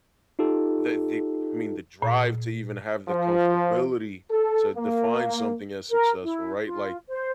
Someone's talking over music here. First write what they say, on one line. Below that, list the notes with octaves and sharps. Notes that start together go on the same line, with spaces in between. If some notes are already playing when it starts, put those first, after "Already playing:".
the the, I mean, the drive to even have the comfortability to define something as successful, right, like,
D#4 F4 G4 A4
A#2
F3
A4
A#3
A#4
E4
F4
C5